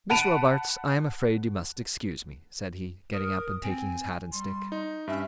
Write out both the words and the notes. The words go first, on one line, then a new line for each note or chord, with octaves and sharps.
"Miss Robarts, I am afraid you must excuse me," said he, getting up and taking his hat and stick.
F#5 A5 B5 D7 D#7 F7
A#4 D#6
C4 G#5
G3 C6
D#4
G2 C#4 E5